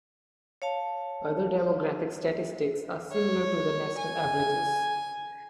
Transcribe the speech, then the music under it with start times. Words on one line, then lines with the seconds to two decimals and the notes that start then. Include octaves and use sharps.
Other demographic statistics are similar to the national averages.
0.62 C#5 F5 A5
3.12 C#5
3.98 G#5